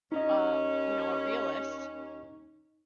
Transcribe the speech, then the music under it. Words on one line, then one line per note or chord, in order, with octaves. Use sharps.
um, you know, a realist,
D#2 C#4 D#4 D#5